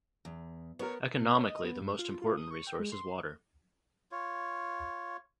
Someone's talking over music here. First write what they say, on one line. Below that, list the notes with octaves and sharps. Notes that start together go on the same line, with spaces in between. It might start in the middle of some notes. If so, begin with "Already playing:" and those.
Economically the most important resource is water.
E2
B3 A#4 C#5
B2
C#5
D#5
B3
G2
F4
F4
D#6
C#6
G5
G#3
C6
F4 C#5